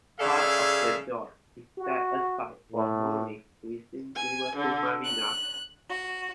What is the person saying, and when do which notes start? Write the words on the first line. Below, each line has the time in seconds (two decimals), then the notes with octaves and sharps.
Part of the dock is set aside for moorings within Liverpool Marina.
0.20 C#3 G#4 A4 D5 E5 F5
1.78 F#4
2.72 A2
4.16 G#5
4.56 D3
5.04 F#6
5.90 F#4